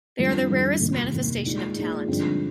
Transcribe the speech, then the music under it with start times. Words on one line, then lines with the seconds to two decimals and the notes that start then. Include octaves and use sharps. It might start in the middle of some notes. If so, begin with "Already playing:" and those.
They are the rarest manifestation of Talent.
0.18 F2 D#3 G3 D4 F4
0.50 F2 D#3 G3 D4 F4
0.81 F1 D#2 D#3
1.13 F1 D#2 D#3
1.45 A#2 G#3 D#4
1.76 A#2 G#3 D#4
2.08 G2 D3 F3 G#3 C4